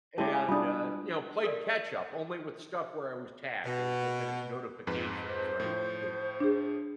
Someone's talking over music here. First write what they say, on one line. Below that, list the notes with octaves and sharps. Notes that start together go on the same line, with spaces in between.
and, uh, you know, played catch-up only with stuff where I was tagged, I was looking at notifications, right? 'Cause
G#3 E4 G4 A5
F5 G#5 B5
G3 D4 F4 D#6
A4 A#4 D5
B2
F2 G#2 B4
C5
A2 F3
D4 G#4